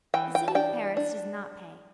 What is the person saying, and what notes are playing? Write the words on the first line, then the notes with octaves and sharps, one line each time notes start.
The city of Paris does not pay.
E3 G5
G5
A5
D4 G5
D4